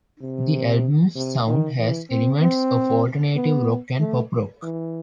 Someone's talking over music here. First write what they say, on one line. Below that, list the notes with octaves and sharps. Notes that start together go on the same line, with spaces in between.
The album's sound has elements of alternative rock and pop rock.
C3
C3
D#3
E3
C4
C4
B3
A3
E3